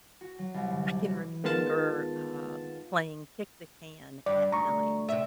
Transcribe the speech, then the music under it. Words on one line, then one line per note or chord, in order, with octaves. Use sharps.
I can remember, um, playing kick the can at night
F#4
F#3
C2
G1
D4
F#4
D#3 G#3 B3 F4 A5
G2 D5
D2 A#5 C#6
C3 E5